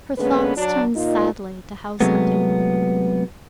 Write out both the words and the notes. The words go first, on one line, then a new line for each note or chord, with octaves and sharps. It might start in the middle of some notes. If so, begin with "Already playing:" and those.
Her thoughts turned sadly to house-hunting.
D3 G#3 A#3 B3 C#4 B4
F#3 D4
A#2 D#4 F4
C3 F#3 G#3 A3 B3